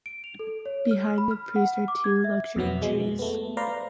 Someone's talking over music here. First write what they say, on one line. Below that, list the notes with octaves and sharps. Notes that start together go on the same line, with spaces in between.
Behind the priest are two luxuriant trees.
D7
F7
A4
C#5
F6
B5
F6
F#5
D6
G#6
E5
F2 B2 F#3 B3
G#3
A3 B3
B4 C5 D5 F5 A#5 C6